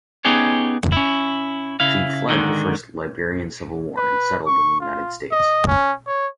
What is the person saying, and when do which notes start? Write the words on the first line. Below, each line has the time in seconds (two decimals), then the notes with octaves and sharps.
She fled the First Liberian Civil War and settled in the United States.
0.25 B3 C#4 D#4 G4 G#4 C#5
0.92 C#4 E4
1.80 C#3 E4 F5
2.29 G#2 D3 D#3
3.97 B4
4.47 C#6
4.80 F4
5.32 D#5
5.67 C#4
6.07 C#5